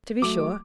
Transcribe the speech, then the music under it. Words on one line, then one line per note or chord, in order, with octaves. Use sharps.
'To be sure.
F#3 A3 D6